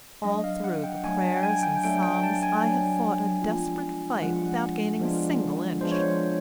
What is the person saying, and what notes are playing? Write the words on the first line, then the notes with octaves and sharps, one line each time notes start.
All through the prayers and psalms I had fought a desperate fight without gaining a single inch.
F#3 A3 D4 D#5
F5
F#5
G5
F#3 A3 D4 G#5
A5
G5
G#5
G5
F#3 A3 D4 G5
G5
A5
G#5
F#3 A3 D4
F3 G#3 B3 D4 F4
F3 G#3 B3 D4 F4 F#5
F3 G#3 B3 D4 F4
F3 G#3 B3 D4 F4 C5
C#5
C5